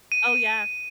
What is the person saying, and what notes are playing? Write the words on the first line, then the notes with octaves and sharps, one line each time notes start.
Oh, yeah.
D#7